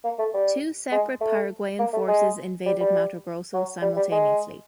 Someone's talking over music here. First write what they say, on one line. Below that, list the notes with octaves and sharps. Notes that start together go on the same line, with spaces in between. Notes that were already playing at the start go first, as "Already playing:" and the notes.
Two separate Paraguayan forces invaded Mato Grosso simultaneously.
A#3
A3
G3
G#3
A3
A#3
A3
G#3
G3
G3
F#3
G3
G3
G#3